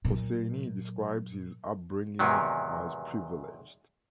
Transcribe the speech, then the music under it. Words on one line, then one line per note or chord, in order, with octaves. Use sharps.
Hosseini describes his upbringing as privileged.
A#2 F#3
E2 G#2 C3 D#3 F#3